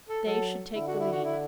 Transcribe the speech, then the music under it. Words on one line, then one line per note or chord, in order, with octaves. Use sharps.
They should take the lead.
A4
F#3 A4
D3 E4
F#4
E4
F#4
E4